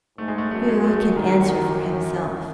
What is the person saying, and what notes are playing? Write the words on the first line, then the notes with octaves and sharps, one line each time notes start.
Who can answer for himself?
G#2 A3
G#3
A3
F#2 A3
G#3
A3
G#3
D#3
D#3